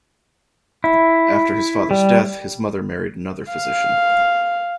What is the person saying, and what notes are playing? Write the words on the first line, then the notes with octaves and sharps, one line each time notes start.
After his father's death, his mother married another physician.
E4
G3
F5